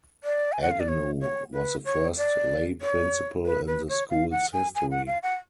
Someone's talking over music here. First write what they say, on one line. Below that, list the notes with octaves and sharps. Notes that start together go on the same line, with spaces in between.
Agnew was the first lay principal in the school's history.
D5
G#5
F#5
F5
D5
C#5
C#5
B4
C#5
D5
C#5
B4
B4
C#5
F5
F#5
G#5
G#5
F#5
F5
F#5